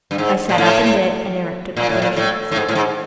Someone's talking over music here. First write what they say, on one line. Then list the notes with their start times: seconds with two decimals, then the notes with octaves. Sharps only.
I sat up in bed and directed operations.
0.11 G2
0.18 G#2
0.49 A#2
0.58 A2
1.77 A#2
1.89 A2
2.02 A#2
2.16 A2
2.51 A2
2.56 G#2
2.68 A2
2.75 G#2